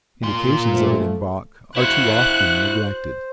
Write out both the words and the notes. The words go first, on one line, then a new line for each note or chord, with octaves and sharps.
Indications of it in Bach are too often neglected.
A#2 C6
F3 A3
E4 F#4 C5 F#6